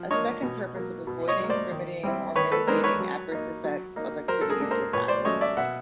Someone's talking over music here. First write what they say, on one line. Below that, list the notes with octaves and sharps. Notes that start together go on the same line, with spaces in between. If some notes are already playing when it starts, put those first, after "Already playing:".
A second purpose of avoiding, remedying or mitigating adverse effects of activities was added.
Already playing: F3
A#3 D4 C#5 D#5
B2
F#3 A#3
B2
C#5 D#5
F#3 A#3
C5 D5
D#3
G3 C4 E4
D#3 B4 C#5
A4 B4
G#3 B3 D4 A#4 C5
B4 C#5
F#3
A#3 D#4
F#3
A#3 D#4
F#3 A#4 C5
A4
G#4 A#4
A#3 D4
A#4 C5
A#2 B4 C#5
C5 D5
F#3 A3 C#4 C#5 D#5
D5 E5
B2 E5 F#5